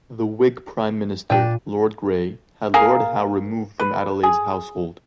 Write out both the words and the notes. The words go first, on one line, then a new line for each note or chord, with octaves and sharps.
The Whig Prime Minister, Lord Grey, had Lord Howe removed from Adelaide's household.
A#2 D4 G5 D#7
A#3 G#4 A#4 F5
B4
G#4